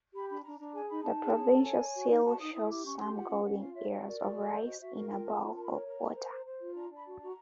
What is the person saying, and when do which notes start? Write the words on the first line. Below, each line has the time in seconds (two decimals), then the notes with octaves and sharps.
The provincial seal shows some golden ears of rice in a bowl of water.
0.13 G4 B5
0.29 D4 B5
0.44 D4 A#5
0.58 D4 A#5
0.73 G#4 G#5
0.89 D#4 B5
1.03 D#4 A5
1.20 G#4
1.33 C#4
1.49 A4
1.64 C#5 G#5
1.79 C#5
1.94 F#4
2.09 D#4
2.24 F#4 A5
2.39 D#4 D#6
2.54 E4 D#6
2.69 G4 D6
2.84 C#4 C#6
3.00 G4 C6
3.14 F4 F#5
3.29 C#4
3.44 C#4 F#5
3.59 F4 F5
3.74 C#5 E5
3.89 F#4 D#5
4.05 A#4 D5
4.19 F#4
4.34 A4
4.50 C5
4.64 F#4 D#5
4.80 F#4 E5
4.94 A#4 F5
5.09 F4 G5
5.24 C#4 A5
5.40 F4
5.55 A#4 A5
5.64 B5
5.70 C#5 A#5
5.85 A#4 A#5
6.00 A#4
6.15 C5
6.30 C5
6.45 C5
6.60 F4
6.75 D4 A#5
6.90 D4 B5
7.06 F#4
7.20 F#4 A#5